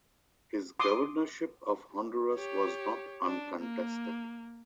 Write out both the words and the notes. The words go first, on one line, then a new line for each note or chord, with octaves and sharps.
His governorship of Honduras was not uncontested.
C6 D6 D#6
G4 C#5
D4
A#3